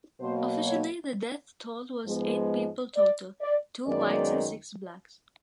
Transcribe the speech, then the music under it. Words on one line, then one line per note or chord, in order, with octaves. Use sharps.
Officially the death toll was eight people total, two whites and six blacks.
B2 F#3 A#3 C5
C#5
G#2 F3 G#3 B3
D5
D5
F#2 D#3 G#3 B3 D5